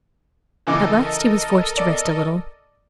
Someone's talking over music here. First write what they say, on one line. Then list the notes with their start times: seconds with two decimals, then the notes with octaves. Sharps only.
At last he was forced to rest a little.
0.67 C#3 E3 A4 A#4 D#5 D6
1.77 D5